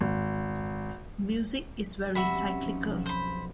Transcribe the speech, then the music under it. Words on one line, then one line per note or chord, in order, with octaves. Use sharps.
Music is very cyclical.
G#1
F#3 G3 C4 F#4 E5 B5
F#3 C#4
F3 D#4
B1
C5 B5